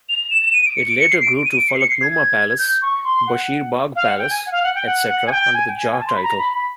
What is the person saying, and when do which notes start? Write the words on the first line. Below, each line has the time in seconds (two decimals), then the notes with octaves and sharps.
It later grew to Falaknuma Palace, Bashir Bagh Palace, etc., under the Jah title.
0.09 F7
0.31 E7
0.42 E7
0.53 D#7
0.65 D7
0.76 C#7
0.88 D7
0.99 C#7
1.10 C7
1.22 D7
1.45 D#7
1.57 D7
1.67 C#7
1.74 C7
1.79 C#7
1.90 C7
2.02 G#6
2.58 G6
2.82 C#6
3.04 C6
3.27 F#5
3.96 F5
4.07 F#5
4.18 G5
4.30 G#5
4.46 F#5
4.52 F5
4.63 F#5
4.75 G5
4.86 F#5
5.09 F#5
5.27 G#5
5.31 G5
5.54 G#5
5.67 G5
5.76 G#5
5.92 G#5
6.00 A5
6.07 C6
6.15 B5
6.23 A#5
6.38 B5
6.53 B5